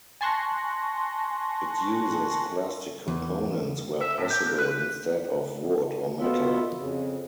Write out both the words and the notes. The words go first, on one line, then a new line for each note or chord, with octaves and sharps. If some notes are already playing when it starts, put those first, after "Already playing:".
It uses plastic components where possible instead of wood or metal.
G#5 A5 C6 C#6 F#6 A#6
E2
E5
A2
G4
D2
B4
B2 B3 F4 E5
F2 C#3